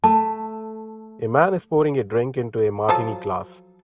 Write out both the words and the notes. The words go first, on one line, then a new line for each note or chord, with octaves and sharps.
A man is pouring a drink into a martini glass.
A3 A5
F3 F#3 A4